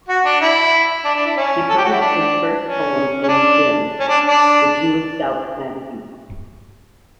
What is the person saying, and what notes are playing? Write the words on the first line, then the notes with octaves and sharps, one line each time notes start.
He published his first poem in "Bin", the Jewish scouts magazine.
F#4
D4
E4
D4
D4
E4
C#4
A4
G4
F#4
E4
D4
C#4
C#4
D4
C#4
D4
D4